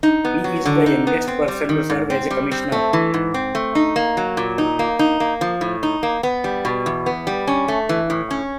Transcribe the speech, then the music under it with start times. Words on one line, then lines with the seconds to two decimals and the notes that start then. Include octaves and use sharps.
He is the youngest person to serve as Commissioner.
0.03 D#4
0.25 B3
0.44 F#3
0.65 D3
0.86 D#4
1.07 B3
1.27 C4
1.48 G3
1.69 D#3
1.90 G#2
2.10 C4
2.30 G3
2.51 C4
2.72 A3
2.93 E3
3.14 G#2
3.34 C4
3.55 A3
3.75 D#4
3.96 A#3
4.17 F#3
4.37 A#2
4.58 D#4
4.79 A#3
4.99 D#4
5.20 A#3
5.41 F3
5.61 A2
5.83 D#4
6.03 A#3
6.23 B3
6.44 G3
6.65 B2
6.86 E2
7.06 B3
7.27 G3
7.47 C#4
7.68 A3
7.89 E3
8.10 A2
8.31 C#4